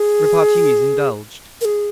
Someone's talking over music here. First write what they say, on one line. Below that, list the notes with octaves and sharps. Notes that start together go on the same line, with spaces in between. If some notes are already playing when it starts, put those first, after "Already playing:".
Repartees indulged.
Already playing: G#4
A#4
G#4